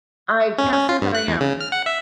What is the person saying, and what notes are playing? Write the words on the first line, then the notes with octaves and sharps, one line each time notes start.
I can't say that I am.
C#4
C#4
F4
G2
F#6
E2
C#3
F6
F#5
E5